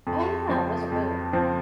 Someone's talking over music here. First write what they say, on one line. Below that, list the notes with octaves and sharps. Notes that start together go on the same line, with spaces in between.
Oh, yeah. Those are good.
F2
F3 C4
F2
F3 C4